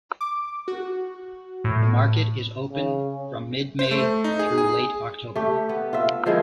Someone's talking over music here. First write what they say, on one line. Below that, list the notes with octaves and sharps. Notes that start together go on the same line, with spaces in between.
The market is open from mid-May through late October.
D6
F#4
A2
C#3
C5
A3
D#4
G#4
G#4
A3 G4
B3
F4 E5
D#3 F3 G#3 E4